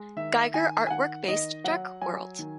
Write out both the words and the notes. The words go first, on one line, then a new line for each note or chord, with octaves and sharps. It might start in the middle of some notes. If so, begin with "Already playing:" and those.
Giger artwork-based Dark World.
Already playing: G#3
D#3 E5
D#3 G#5
G#5
D#3 F#5
D#3 D#5
F#3 F#5
F#3 G#5
D#3